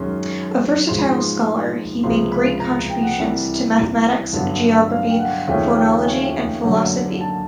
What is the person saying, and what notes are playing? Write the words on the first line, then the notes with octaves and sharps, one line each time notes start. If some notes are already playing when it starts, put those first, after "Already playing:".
A versatile scholar, he made great contributions to mathematics, geography, phonology and philosophy.
Already playing: F#2 D#3 G#3 C#4 C6
G#2 F3 G#3 C6
B5
C6
C#2 C3 F3 G#3 C6
B5
A#5
G5
F#5
C2 C3 E3 G3
G2 D3 F#3 B3
F5
G5
F#5
D#2 C#3 F3 A3 C#4 G5
G5
G#5
F#2 D3 F#3 A#3
A5